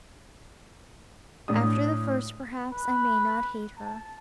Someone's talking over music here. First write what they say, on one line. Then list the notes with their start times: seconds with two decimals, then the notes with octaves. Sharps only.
'After the first, perhaps, I may not hate her.
1.48 A2 D4 D#6
2.72 B4
3.78 A5